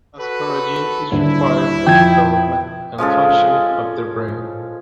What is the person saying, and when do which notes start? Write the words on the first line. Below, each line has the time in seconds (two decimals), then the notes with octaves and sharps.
Asparagine is required for development and function of the brain.
0.19 F#4 A4 B4
1.12 D#1 D3 E4
1.87 F2 G5 G#6
2.98 F3 G#3 C#4 A4